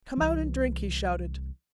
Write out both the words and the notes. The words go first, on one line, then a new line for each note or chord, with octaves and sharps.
"Come out and drink," he shouted.
C2 E3